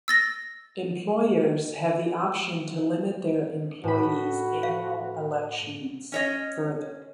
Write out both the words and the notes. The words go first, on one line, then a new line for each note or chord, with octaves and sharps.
Employers have the option to limit their employees' annual elections further.
E6 A6 A#6
A2 F#4 B5
F5
C#4 C#5 D#5